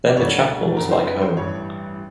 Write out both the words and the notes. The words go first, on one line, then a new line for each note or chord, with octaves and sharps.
Then the chapel was like home.
D5
E1 D2 D3 G3 C#5
F#1 F2 D3 A#4
C5
B4
C5
A1 G2 E3 G3 C#5